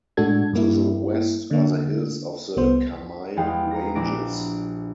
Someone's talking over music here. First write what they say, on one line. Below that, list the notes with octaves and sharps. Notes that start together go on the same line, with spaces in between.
To the west are the hills of the Kaimai Ranges.
A2 G#3 D4 F#4 A4 G#6
G2 A#3 E4
D3 A#3
C2 B3 C5
B6
E2 G#3 G4 F5 G5
A#5 A#6
A#1 D4 D6 A#6 D7 E7